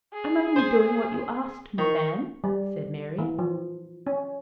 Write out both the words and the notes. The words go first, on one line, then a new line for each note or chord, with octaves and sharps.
"I am only doing what you asked me, ma'am," said Mary.
G#4
C5 G#5
D#3 C#6
G3
E3
F3
C#4